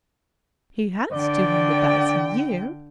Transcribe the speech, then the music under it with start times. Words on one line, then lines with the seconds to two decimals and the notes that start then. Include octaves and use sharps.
He has two hundred thousand a year.
1.13 D3 D5 G5